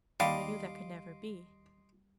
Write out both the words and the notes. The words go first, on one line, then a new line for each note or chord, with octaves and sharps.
I knew that could never be.
D#2 G3 D#5 F5 C6 D6